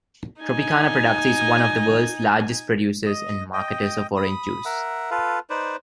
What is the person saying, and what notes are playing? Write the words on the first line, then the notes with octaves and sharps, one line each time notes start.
Tropicana Products is one of the world's largest producers and marketers of orange juice.
D#4 G#5
D#5
D#5 G5
B5 D#6
A#4 E5 F#5
F4 A4 B4 F5
D#4 B4 C5 D5